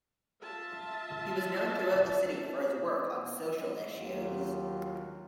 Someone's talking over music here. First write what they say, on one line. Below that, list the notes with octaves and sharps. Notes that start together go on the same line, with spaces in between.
He was known throughout the city for his work on social issues.
F4 E5 A5
D#2 F#3 F4 G4